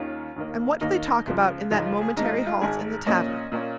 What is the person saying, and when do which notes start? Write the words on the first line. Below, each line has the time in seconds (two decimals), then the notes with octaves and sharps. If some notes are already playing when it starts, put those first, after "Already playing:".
And what do they talk about in that momentary halt in the tavern?
Already playing: D#2 D#3 C#4 F4
0.36 D#2 D#3 A#3
0.81 D#2 D#3 A#3 D#4
1.27 C#2 C#3 F3
1.71 C#2 C#3 F3 D#4
1.86 F4
2.01 G#4
2.16 G#1 G#2 G#3 D#4
2.25 F4
2.32 D#4
2.47 F4
2.61 G#1 G#2 G#3 G#4
3.07 A#2 A#3 C#4 D#5
3.52 A#2 A#3 C#4